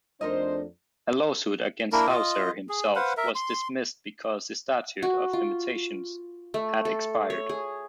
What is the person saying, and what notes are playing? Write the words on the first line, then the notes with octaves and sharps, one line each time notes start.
A lawsuit against Hauser himself was dismissed because the statute of limitations had expired.
F2 A3 D4 D#4 A#4 C5 D#5
A#3 D4 E4 A#4
F4 D#5
G#4
B4 C5 F5 F#5
A#4 E5
C6
F#4
F4
A3
A4
C#5
G#4